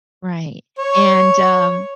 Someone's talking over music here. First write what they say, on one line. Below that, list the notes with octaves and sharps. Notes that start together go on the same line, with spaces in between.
Right. And, um,
C#5